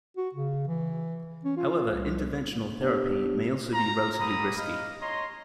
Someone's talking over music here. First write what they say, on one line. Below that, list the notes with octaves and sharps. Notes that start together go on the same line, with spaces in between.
However, interventional therapy may also be relatively risky.
F#4
C#3
E3
C#4
F4
C2
B3 D4 G4
F4 A#5
G3 A#3 A#5 B5 D#6
D#5 F5
C#5 D#5 A#5 C6